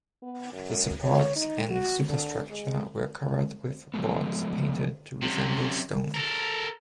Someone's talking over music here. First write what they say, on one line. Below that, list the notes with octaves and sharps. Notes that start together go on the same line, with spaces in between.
The supports and superstructure were covered with boards painted to resemble stone.
B3
F#2
C#5
D#4
F#4
D3
G#3
F3 F#3 G#3 A3 B3
F#2 C3
A4 A#4